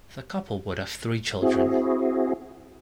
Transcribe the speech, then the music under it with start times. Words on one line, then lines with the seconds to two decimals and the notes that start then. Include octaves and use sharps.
The couple would have three children.
1.42 C4 E4 F#4 G#4